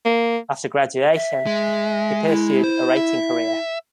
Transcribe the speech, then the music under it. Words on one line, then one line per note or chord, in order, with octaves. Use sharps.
After graduation, he pursued a writing career.
A#3
E5
G#3
E4
C5
E5